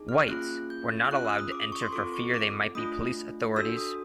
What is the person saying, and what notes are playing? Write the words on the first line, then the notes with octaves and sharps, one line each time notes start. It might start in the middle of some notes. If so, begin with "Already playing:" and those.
"Whites" were not allowed to enter for fear they might be police authorities.
Already playing: D#4 G#4
F6
A#3 C#4 F4 G#4 F#6
G6
C#4 F4 G#4 F#6
E6
D#6
D6
D#6
C#6
C6
C4 F4 A4 D6
C#6
D6
A3 D4 F4 D#6
D4 F#4 A4 E6
D#6